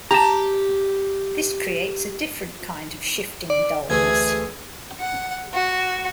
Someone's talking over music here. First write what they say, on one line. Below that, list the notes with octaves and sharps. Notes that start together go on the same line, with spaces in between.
This creates a different kind of shifting dullness.
G4 A5 A#5
D5
D2 E3 A3 G#4 G#6
F#5
F#4